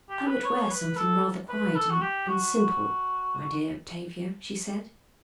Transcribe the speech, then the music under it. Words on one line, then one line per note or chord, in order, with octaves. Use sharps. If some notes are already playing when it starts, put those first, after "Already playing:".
"I would wear something rather quiet and--and simple, my dear Octavia," she said.
G4
B4
C#5
B4
A4
B4
A4
F#4
G4
F#4
F#4